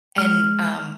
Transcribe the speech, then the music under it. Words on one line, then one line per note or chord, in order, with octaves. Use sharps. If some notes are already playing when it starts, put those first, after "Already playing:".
And, um,
G#3 F6